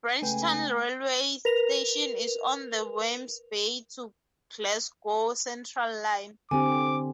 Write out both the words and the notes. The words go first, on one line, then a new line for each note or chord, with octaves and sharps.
Branchton railway station is on the Wemyss Bay to Glasgow Central line.
C#3 G#3 A3 B4 G5 G#5
A#4 B4 F7
D3 C4 G4 G#5 D6